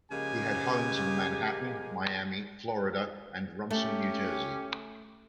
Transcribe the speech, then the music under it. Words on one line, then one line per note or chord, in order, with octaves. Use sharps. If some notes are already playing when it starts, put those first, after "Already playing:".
He had homes in Manhattan, Miami, Florida and Rumson, New Jersey.
C#3 F3 G#3 A#3 G4 G#5
A3 C#4 G4